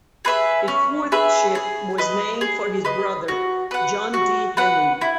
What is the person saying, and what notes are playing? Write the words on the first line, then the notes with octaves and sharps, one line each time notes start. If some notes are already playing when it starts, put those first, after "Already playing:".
A fourth ship was named for his brother, John D. Henley.
G#4 B4 E5
C#4
G#4 B4 E5
G#4
B4 D#5
G#4
B4 D#5
F#4
B4 F#5
F#4
B4 F#5
E4